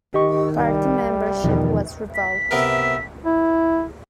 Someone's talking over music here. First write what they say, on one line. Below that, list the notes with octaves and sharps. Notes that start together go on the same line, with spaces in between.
Party membership was revoked.
D#3 G4 D#5 C#6
C2 G3
E2 B2 D#3 F3
B6
C3 B3 A#4 E5
E4